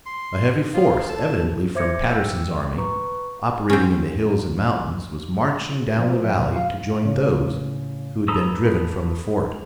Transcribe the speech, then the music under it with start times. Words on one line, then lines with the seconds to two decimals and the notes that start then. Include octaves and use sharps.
A heavy force, evidently from Patterson's army operating in the hills and mountains, was marching down the valley to join those who had been driven from the fort.
0.06 C6
0.74 F3 F4
1.09 A4 A5
1.75 C5 E5 D6 G#6 A#6 C#7
2.10 G5 E6
2.78 B4 A#5 C#6
3.70 C4 C#4
5.99 F3
6.12 F3
6.24 E5
6.38 A#2
6.56 F5
7.02 A2 C#3
8.28 A4 B4 A#5 D#6 E6